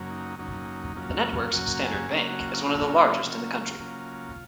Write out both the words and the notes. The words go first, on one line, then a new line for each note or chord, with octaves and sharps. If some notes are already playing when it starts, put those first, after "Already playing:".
The network's Standard Bank is one of the largest in the country.
Already playing: F#2 C#3 F#3 A#3 C#4
D#4
F#2 C#3 F#3 A#3 C#4 D#4
F#2 C#3 F#3 A#3 C#4 F4
F#2 C#3 F#3 A#3 C#4 F#4
G#4
C#3 F#3 A#3 C#4
F#4
F4
C#3 F#3 A#3 C#4 F4
C#3 F#3 A#3 C#4
C#3 F#3 A#3 C#4